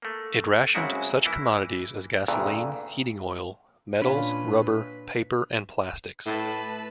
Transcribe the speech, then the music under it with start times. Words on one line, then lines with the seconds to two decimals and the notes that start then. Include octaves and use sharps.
It rationed such commodities as gasoline, heating oil, metals, rubber, paper and plastics.
0.02 A3 A#3
0.75 F#2 C#3 G#3 C4 E4 F#4
1.26 E3 A#3 E4
2.28 D2 G2 A#2 C#3 E3
4.02 A#2 C#4 D4 F4 B4
6.26 A2 B4 A5